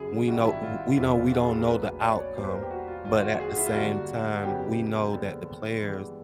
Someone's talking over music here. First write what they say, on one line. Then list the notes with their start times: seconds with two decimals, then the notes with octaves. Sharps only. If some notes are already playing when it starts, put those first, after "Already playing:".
we know w we know we don't know the outcome, but at the same time, we know that the players,
Already playing: G1 F#2 C#3 F#3 G#4
0.28 G#1 G2 D#3 F#4
0.45 E4
0.63 F4
0.97 E1 E2 C#3 F3 E4
1.15 F4
1.31 F#4
1.40 G#4
1.49 A4
1.58 A#4
1.66 A#1 A2 F#3 A#3 B4
2.01 D5
2.18 C#5
2.35 E2 B2 G3 A#3 C5
2.44 B4
2.53 A#4
2.62 G4
2.71 F#4
2.88 F4
3.05 E1 D2 D3 F3 F4
3.22 F#4
3.40 G#4
3.49 F#4
3.57 E4
3.66 F4
3.75 G2 D3 G3 A#3 F#4
4.43 F2 C#3 F#3 B3 G4
5.13 D#2 D3 F3 G#3 B3 A4
5.83 G2 E3 G#3 B3